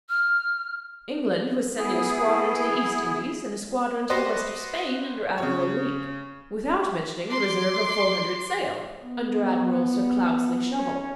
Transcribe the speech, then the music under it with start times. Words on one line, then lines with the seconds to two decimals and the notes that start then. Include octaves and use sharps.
England was sending a squadron to the East Indies, and a squadron to the West of Spain under Admiral Leake, without mentioning the reserve of four hundred sail, under Admiral Sir Cloudesley Shovel.
0.09 F6
1.77 B3 E4 G#4
4.10 F#4 G4 B4 C5 D5 D#5
5.38 C#3 C#5
7.29 C6 D6 C7
9.02 B3
10.77 C#4